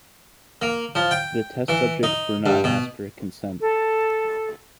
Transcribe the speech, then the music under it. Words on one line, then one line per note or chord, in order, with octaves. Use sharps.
The test subjects were not asked for consent.
A#3
F3
G5
E3
D#4
G2
B2
A4